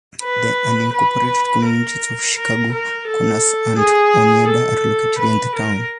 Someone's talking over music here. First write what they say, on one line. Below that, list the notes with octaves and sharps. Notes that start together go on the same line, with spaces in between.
The unincorporated communities of Chicago Corners and Oneida are located in the town.
B4
B4
A#4
A#4
A#4
A4
G#4
A4
B4
A#4